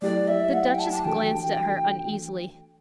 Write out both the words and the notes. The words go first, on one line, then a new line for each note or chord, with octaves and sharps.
The Duchess glanced at her uneasily.
F#3 A3 E4 G4 D5
E5
F#5
G5
A5
A5
E3 A3 D4 F#4 A4 G5